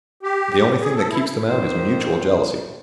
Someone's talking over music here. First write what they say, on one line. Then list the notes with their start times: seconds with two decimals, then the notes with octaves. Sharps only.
The only thing that keeps them out is mutual jealousy.
0.23 G4
0.81 G#4
0.96 A4
1.10 E4
1.48 F2 D#3 C5